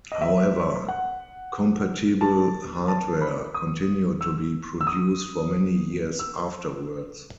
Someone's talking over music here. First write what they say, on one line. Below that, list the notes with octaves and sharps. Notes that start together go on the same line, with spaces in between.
However, compatible hardware continued to be produced for many years afterwards.
D#5
E5
F#5
A5
A5
B5
D#6
E6
E6
D#6
E6